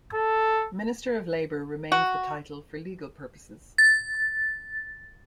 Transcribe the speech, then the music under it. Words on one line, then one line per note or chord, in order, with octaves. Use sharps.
"Minister of Labour" remains the title for legal purposes.
A4
F#4
A6